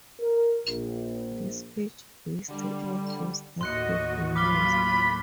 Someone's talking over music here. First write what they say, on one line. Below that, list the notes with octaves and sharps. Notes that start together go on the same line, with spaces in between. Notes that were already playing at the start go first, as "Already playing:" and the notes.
This page lists all those that have been used.
A#4
A#1
D3 G3
D#2 A2 F#4 D#5 C6 F#6 C#7
F#3 F4 B5 D6 F6 G7